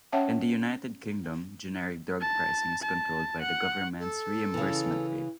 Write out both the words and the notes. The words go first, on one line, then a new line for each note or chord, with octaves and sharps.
In the United Kingdom, generic drug pricing is controlled by the government's reimbursement rate.
C#4 C#5 E5 F#5 G5 A5
A5
A5
F#5
A4
C#3 E3